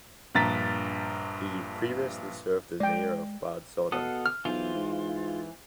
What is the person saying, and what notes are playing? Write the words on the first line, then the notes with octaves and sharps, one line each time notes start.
He previously served as mayor of Bad Soden.
A#1 G2 A#5 A6 B6
G#3 D5 G5
B2 A4 F5 F#5 D#6
F6
B1 E3 F4 C5
G#2